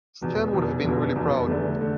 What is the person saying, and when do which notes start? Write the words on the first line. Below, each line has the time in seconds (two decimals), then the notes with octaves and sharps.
Stan would have been really proud.
0.21 F1 E2 B2
0.53 F1 E2 B2
0.84 F1 E2 B2
1.16 F1 E2 B2
1.48 F1 E2 D3 A3
1.81 D3 A3